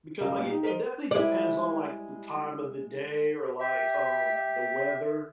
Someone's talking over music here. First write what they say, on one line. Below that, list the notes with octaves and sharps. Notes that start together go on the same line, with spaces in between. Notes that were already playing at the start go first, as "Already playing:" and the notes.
because, like, it it definitely depends on, like, the time of the day or, like, um, the weather,
C#2 A#4 D#5 F5
A#2 B3
D#4 G4
A#4 C5 D#5 D#7 G7
G3 G#3 E4 D5
G4 E5
E5